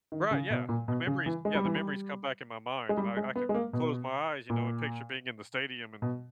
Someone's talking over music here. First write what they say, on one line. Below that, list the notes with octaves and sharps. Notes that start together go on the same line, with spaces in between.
Right, yeah, the memories yeah, the memories come back in my mind and I I can close my eyes, you know, and picture being in the stadium and
D#3
C#3
B2
A#2
B2
C#3
E3
G#3
G3
E3
G3
G#3
G3
G#3
B3
G#3
A#3
B2
A#2
B2